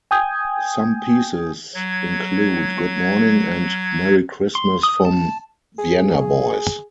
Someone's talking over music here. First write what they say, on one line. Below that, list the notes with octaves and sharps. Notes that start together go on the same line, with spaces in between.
Some pieces include "Good Morning" and "Merry Christmas from Vienna Boys".
G5 G#5 D#6 G6 G#6
F#3 G#6
C6
D#6
A5
G#4